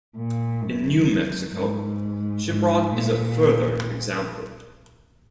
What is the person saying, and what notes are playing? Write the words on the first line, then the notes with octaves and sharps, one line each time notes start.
In New Mexico, Shiprock is a further example.
A#2
F#2
G#2
G#2
A#2